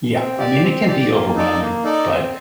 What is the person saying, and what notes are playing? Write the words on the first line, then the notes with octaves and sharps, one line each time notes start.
Yeah. I mean, it can be overwhelming, but
C4
G4 D5
C4
G4 D5
A#3
D#4 A4 D5
A#3
D#4 A4 D5
C4